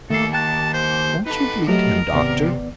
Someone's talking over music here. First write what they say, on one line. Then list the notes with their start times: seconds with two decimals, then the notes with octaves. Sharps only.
Won't you bleed him, doctor?
0.10 D#3 A3 A#3 A4 C7
0.33 G5 A5 F#6
0.73 C5
1.26 D#4 A4 B4
1.68 F#3 A3 G4 A#4 B4 D#5
2.13 G#1 C3 B3 D5